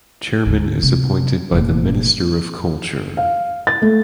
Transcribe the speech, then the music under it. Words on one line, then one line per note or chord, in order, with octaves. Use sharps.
Chairman is appointed by the Minister of Culture.
D2 G#2
C3
F1 A#2
F5
A6
A3